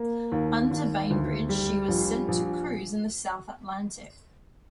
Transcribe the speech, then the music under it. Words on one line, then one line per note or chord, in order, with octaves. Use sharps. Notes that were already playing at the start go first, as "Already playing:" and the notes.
Under Bainbridge, she was sent to cruise in the South Atlantic.
Already playing: A#3
D#2
D#2
D2
G3
A#1
A#1